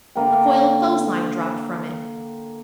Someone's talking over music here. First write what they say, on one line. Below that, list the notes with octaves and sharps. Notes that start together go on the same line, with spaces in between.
A coil of clothes line dropped from it.
D3 A#3 G5